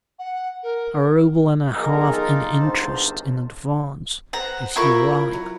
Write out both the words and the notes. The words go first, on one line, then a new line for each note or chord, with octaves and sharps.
"A rouble and a half, and interest in advance, if you like!"
F#5
A#4
B1 D#3 D#4 G#4 A#4
F4 A4 D5
G1 C#2 G#2 C5 A5
B4 C5 F#5 A#5
C4 E4 F4 A#4 B5 C#6
F#3